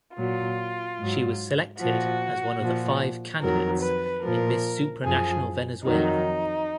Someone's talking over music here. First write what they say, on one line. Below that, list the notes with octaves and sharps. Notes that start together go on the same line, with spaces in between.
She was selected as one of the five candidates in Miss Supranational Venezuela.
A#2 F#3 F4
G#2 F#3
A#2 F3 F#4
A#2 F3
F2 D#3 F#3 A#4
B4
A#2 F3 A#4
F#2 F3 G#4
F2 D#3 F#3 D#4